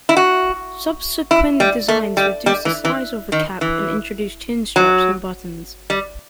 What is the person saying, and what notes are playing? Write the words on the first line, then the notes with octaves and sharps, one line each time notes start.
Subsequent designs reduced the size of the cap and introduced chinstraps and buttons.
E4
F#4
E4
G3
A3
G3
G3
E3
E3
D#3
E3
F#3
G3